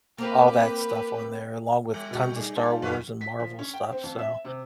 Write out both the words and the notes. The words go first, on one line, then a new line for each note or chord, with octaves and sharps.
all that stuff on there along with tons of Star Wars and Marvel stuff, so,
A#3 C4 G4 A#4 B4
G3 F#6
B2 G4 C#6
D#4 G#4 D5
F4 A5
F#2 B3 F#4 B4 F6
B6
F3
C#4
G5
C4
F2
E5
C3